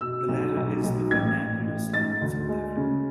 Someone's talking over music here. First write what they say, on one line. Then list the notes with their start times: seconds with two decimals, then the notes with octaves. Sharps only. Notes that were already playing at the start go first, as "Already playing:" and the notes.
The latter is the vernacular slang in South Africa.
0.01 B2 E6
0.28 B1
0.56 B1
0.84 B1
1.11 A1 G#6
1.39 A1
1.67 A1
1.94 G#2 A6
2.21 D2
2.49 G#3
2.77 C#3